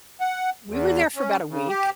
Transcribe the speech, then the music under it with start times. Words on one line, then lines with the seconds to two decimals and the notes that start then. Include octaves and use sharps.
We were there for about a week.
0.21 F#5
0.68 E2
1.16 C#4
1.49 C#3
1.69 G4